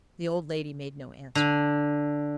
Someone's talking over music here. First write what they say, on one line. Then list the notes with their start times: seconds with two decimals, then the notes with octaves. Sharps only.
The old lady made no answer.
1.35 D3